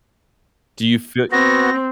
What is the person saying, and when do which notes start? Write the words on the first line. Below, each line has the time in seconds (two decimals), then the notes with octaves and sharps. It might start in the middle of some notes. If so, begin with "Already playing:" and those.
Do you fee
1.32 B3 C4 F#4 A#6